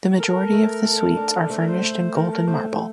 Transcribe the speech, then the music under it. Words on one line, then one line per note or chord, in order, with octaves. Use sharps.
The majority of the suites are furnished in gold and marble.
A4 A#4
A3
A4
D4
A3 C5
A#4
C5
A3
A4 A#4
A#4
A3 C5